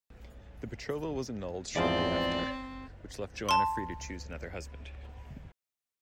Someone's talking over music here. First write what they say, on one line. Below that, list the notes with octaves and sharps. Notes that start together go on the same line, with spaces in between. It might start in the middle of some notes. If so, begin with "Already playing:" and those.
The betrothal was annulled shortly after, which left Joanna free to choose another husband.
E2 G#2 F3 C4 D5
A5 C6